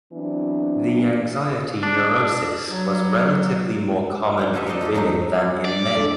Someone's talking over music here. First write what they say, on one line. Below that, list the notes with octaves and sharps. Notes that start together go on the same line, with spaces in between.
The anxiety neurosis was relatively more common in women than in men.
E3 F#3 B3 C4 D4
D4
F#3
D5 F#5 G5
D#4 F4 A4 D#5 E5
D#4 C5 D5 D#5 A5
A3 D#4 G4 A4
F3 F#3 A3 D#4
D5
G#3 D4 A4